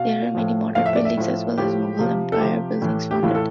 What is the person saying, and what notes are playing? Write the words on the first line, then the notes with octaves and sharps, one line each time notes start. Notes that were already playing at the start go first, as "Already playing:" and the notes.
There are many modern buildings as well as Mughal Empire buildings founded.
Already playing: B2 F5
A2 F3
A2 F3 F5
E5
D5
E5
A2 F3
A2 F3 G4
C3 F3
A4
C3 F3 G4
A2 E3
G4
A2 E3 F4
A4